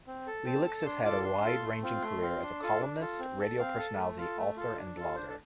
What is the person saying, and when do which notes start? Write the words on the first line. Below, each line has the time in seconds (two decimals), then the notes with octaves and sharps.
Lileks has had a wide-ranging career as a columnist, radio personality, author, and blogger.
0.07 C4
0.27 A4
0.45 C4 A5
0.66 A4
0.80 A5
0.85 D4 C6
1.05 F4 A4 D6
1.24 D4 C6
1.44 F4 A4
1.63 A3
1.83 C4 F4
2.02 A3 C6
2.22 C4 F4
2.42 D4
2.62 F4 A4
2.81 D4
3.01 F4 A4
3.19 C4
3.40 A4
3.59 C4 F5
3.78 A4
3.98 A3
4.17 F4 A4
4.38 A3
4.57 F4 A4
4.77 D4
4.96 F4 A4
5.15 D4 C5
5.29 A4